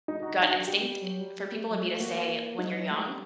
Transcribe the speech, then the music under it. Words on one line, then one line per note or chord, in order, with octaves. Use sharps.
gut instinct i for people would be to say when you're young,
D#4
D#4 F#4
F#4
D4
F#4
G4
G3
F#3
G3
G3
A3
F#3
A3
A#3 F#4
F#3 D#4
F#3
A3
G3